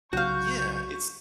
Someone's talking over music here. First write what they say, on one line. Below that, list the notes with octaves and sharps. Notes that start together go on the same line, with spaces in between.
Yeah, it's
C2 C#3 F#3 F#4 F5 C#6 G6